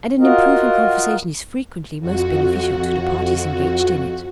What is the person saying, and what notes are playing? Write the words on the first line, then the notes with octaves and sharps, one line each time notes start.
"And an improving conversation is frequently most beneficial to the parties engaged in it."
F4 F#4 A#4 D#5
F2 F#4